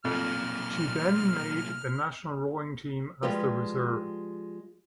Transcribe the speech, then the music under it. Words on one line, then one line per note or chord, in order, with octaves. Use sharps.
She then made the national rowing team as the reserve.
B1 F2 A#2 F6
F3 G3 G#3 F4 G4 B4